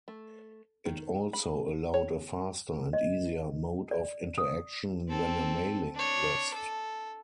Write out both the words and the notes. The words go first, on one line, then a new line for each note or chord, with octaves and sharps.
It also allowed a faster and easier mode of interaction than a mailing list.
A3
D#3
B5
C#5
D#5
D5
D#6
C4 A4
D4 C#5
A4